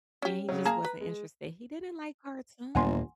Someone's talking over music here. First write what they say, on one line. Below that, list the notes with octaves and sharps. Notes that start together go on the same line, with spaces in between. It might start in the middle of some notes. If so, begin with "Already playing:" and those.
and he just wasn't interested, he didn't like cartoons.
C#4 G4
C#3 F#3
A#3 G#4 A5 A#5
B4
G#3
G1 D#2 A#2 A#3 F#5 G#5 C6